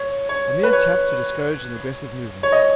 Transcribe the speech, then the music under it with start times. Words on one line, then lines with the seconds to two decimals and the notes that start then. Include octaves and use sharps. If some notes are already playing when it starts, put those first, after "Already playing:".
A mere tap to discourage an aggressive movement.'
Already playing: C#5
0.29 C#5
0.63 B4
0.73 C#5
2.43 C#5
2.52 D#5